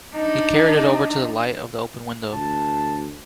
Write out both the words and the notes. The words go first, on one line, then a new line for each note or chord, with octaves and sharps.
He carried it over to the light of the open window.
D4 D#4
D2 A5